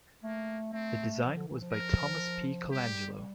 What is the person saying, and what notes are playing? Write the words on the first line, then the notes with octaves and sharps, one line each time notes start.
The design was by Thomas P. Colangelo.
A3 A#3
A3 C4
F3
D3
E3
F3
A#4
G3 G4